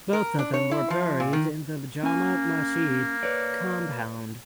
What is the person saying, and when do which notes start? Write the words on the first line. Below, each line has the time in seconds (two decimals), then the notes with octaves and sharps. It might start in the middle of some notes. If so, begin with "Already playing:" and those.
Both of them were buried in the Jama Masjid compound.
0.13 A#4
0.39 D4
0.54 C#5
0.71 E4
0.90 F3
1.20 A#2
1.33 D#3
2.03 A#3 C#4 G#5
3.23 B4 C#5 D5